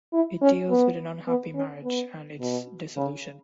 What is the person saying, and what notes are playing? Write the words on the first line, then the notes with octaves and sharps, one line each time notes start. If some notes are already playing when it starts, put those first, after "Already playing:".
It deals with an unhappy marriage and its dissolution.
E4
C#4
B3
B3
C#4
B3
B2
C#3